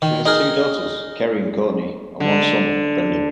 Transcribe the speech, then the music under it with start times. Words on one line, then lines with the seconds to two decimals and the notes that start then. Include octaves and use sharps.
She has two daughters, Kerry and Courtney, and one son, Brendan.
0.02 D#3
0.26 D#4 G#4 A#4
2.20 D3